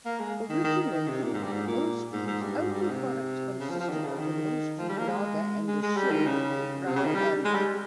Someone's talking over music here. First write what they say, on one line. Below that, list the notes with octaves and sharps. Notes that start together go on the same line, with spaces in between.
Originally Millstream's only products consisted of the Millstream Lager and the Schild Brau Amber.
A#3
G#3
D#3
D#3
D#3
C3
A#2
G#2
G2
G#2
A#2
G#2
G#2
G2
G#2
G2
G#2
C3
C#3
F3
F3
D#3
C#3
D#3
F3
G3
A#3
G#3
G#3
G#3
G3
D#3
C#3
C3
C#3
D#3
G3
G#3
G3